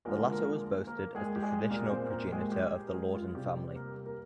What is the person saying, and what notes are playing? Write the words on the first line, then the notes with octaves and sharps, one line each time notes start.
The latter was boasted as the traditional progenitor of the Loredan family.
D3 F3 G#3 A#3 A#4
A#3 A#4
A#3 A#4
G#3 G#4
G4
G#3 G#4
A#2 G3 A#3 A#4
C4 C5
A#3 A#4
G#3 G#4
G4
A#4
G#3 G#4
F4
C3 G3 G4
A#3 A#4
A#4